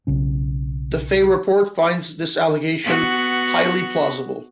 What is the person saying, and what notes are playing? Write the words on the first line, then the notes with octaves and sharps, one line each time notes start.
The Fay Report finds this allegation "highly plausible".
B1 C#3 C#4
B3 F#4